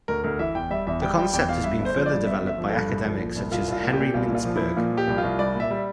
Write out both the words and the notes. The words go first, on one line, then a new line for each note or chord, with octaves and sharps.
The concept has been further developed by academics such as Henry Mintzberg.
D2 A#4
D2 A#4
E3 E5
E2 G5
G3 E5
E2 E5
G3 G5
G3 G5
E2 G5
E2 F5
G2 E5
G1
C5
F3
D5
G2
G1 E5
G1 E5
F3
A4
G2
C2
F3
A#2
C2
C2 F4
C2 F4
A#2
G4
A#2
C2 F4
A#2
F4
F3
E4
F3
A#2 F4
F3 G4
C2
F4
C2
G3 D5
A#2
E5
G3